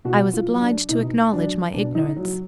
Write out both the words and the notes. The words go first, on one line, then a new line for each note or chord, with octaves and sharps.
I was obliged to acknowledge my ignorance.
B2 F#4
F4
F#3
D4
B2 D#4
F#3 D4
B2 D4
D#4
F#3